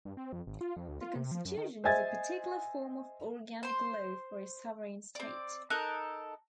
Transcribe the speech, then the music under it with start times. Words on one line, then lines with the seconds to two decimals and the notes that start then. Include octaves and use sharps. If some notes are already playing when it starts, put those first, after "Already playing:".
A constitution is a particular form of organic law for a sovereign state.
0.05 G2
0.17 C4
0.32 F2
0.47 G#1
0.61 F4
0.76 F2
0.88 D2
1.01 F4
1.16 C3
1.31 F3
1.45 F#2
1.57 D#3
1.84 C5 D#5 E5 G#5 G#6 A6
3.63 C5 C6
5.15 C4 D5
5.70 D#4 A4 A#4 F#6